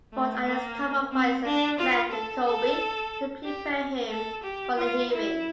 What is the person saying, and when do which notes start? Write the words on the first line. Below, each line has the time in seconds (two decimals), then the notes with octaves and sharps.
Ford and his top advisers met with Colby to prepare him for the hearing.
0.13 A3
0.46 A#3
1.12 C4
1.45 D4
1.78 F4
2.11 A4
2.45 A4
3.44 G4
4.10 A4
4.43 G4
4.77 F4
5.10 E4